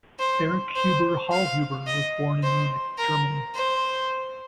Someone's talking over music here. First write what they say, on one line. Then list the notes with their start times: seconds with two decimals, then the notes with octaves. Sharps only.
Erich Huber Hallhuber was born in Munich, Germany.
0.19 C5
0.76 C5
1.32 F5
1.87 D#5
2.43 C5
2.99 A#4
3.54 C5